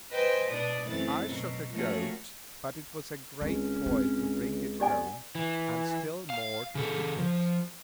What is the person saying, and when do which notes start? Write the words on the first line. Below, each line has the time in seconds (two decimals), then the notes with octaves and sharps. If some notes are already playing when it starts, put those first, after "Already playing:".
I shot a goat, but it was a great toil to bring it home, and still more to cook it.
0.11 B4 C5 D#5 G5 G#5
0.49 B2 D4 B4 D5 D#6
0.86 F#2 E3 A3 C4 A6
1.26 B2 F#3
1.73 F3 A3 A#3 C#4 F#4
3.41 C#2 D#3 C4 C#4
3.86 C4
4.80 B3 G4 D5 G#5
5.35 E3
6.30 F5
6.75 C#3 A4
7.19 F3